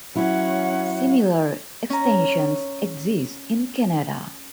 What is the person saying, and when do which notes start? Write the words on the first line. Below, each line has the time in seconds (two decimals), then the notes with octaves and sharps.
Similar extensions exist in Canada.
0.15 F#3 C#4 E4 F#5
1.90 C#4 A#5